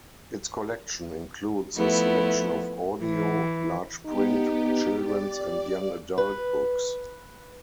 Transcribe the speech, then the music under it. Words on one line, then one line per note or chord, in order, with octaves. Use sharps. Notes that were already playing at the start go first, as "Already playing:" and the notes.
Its collection includes a selection of audio, large print, children's and young adult books.
F3 A3 B3 E4
E3
B3 D#4 G4
G4 D5
B4